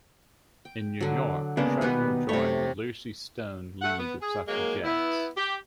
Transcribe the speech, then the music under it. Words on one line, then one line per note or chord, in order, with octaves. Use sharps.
In New York, Treadwell joined the Lucy Stone League of suffragettes.
G5
D3 F#3
C#3 G#3 A#3 B3 D4
D#2 B2 G3 B3 D#4
C3 A3 C#5
A3 F#5
B3
G#4
D#3 F#3 G#3 A#3
B3 E4
G4